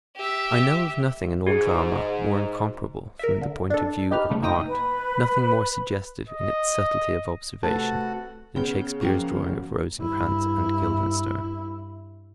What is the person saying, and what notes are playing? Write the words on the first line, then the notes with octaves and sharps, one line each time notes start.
I know of nothing in all drama more incomparable from the point of view of art, nothing more suggestive in its subtlety of observation, than Shakespeare's drawing of Rosencrantz and Guildenstern.
G4 E5
G#2 F#4 G#4
A#4 E5
D3
D4 A4
D#4 G4 B4 F6
G2 C#3 A3
F#2 A#3 D#4 G5 D#6 A#6
B4
D#5
C3 A3 F#4 A4 B4 A5
C#3 B3 G5
F3 F#3 A#3 C#4 G5
G2 E4